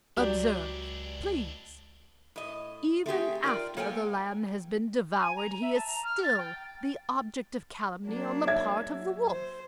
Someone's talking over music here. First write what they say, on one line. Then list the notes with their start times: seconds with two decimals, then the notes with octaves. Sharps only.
Observe, please!--even after the Lamb has been devoured he is still the object of calumny on the part of the Wolf!
0.17 C#2 F#3 D4 E4 G4 D5
2.36 A2 D#5
3.06 A3 C4 G4 G#4
3.43 F4 A#4 D5 G5
3.77 A#3 A4 C#5 G5 G#5
5.20 G#5
5.36 A#5
5.61 E5
5.74 A5
5.87 A#5
6.04 F6
6.23 A6
6.37 G5
8.04 F#3 A#3 D4
8.46 C#5 E5 G#6
8.91 F#3
9.29 C5